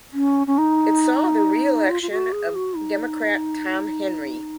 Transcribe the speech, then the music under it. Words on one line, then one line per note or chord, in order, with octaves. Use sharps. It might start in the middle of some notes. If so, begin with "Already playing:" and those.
It saw the reelection of Democrat Tom Henry.
C#4
C#4
D#4
F4
F4
F#4
G#4
F#4
D#4